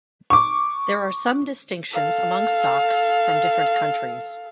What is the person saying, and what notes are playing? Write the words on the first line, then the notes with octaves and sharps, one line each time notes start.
There are some distinctions among stocks from different countries.
C#6 D6
A4 F5